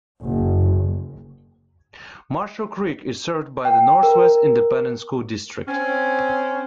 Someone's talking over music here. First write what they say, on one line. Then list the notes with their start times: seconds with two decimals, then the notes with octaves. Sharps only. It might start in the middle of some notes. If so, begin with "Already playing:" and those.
Marshall Creek is served by the Northwest Independent School District.
0.23 F#1
3.65 G5
4.03 A#4
5.68 C4 C#4